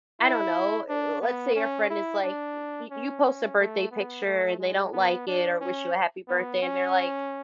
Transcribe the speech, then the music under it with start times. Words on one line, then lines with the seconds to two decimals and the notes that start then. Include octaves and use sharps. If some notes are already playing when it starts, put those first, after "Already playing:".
I don't know. L let's say your friend is, like, you you post a birthday picture and they don't like it or wish you a happy birthday, and they're, like,
0.21 E4
0.89 D4
1.22 B3
1.55 C#4
1.90 E4
2.23 D4
2.91 C#4
3.25 C#4
3.59 A3
3.91 B3
4.26 A3
4.59 G#3
4.93 B3
5.27 D4
5.61 C#4
6.28 B3
6.62 C#4